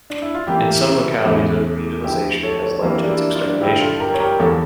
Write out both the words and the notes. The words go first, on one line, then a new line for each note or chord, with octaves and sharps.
In some localities over-utilisation has led to its extermination.
D4
E4
F4
F2 E3 G3 A#3 E4 G4
E4
E4
E2 C#3 E3 A3
D2 D3 F3 E4 G4
A4 C#5
A4 C#5
D4
F2 E3 G3 A#3 E4
D4
E4
D4 F4
G2 D3 G3 E4 G4
F4 A4
G4 A#4
C#5
G4 A#4
E2 E3 A3 A4 C#5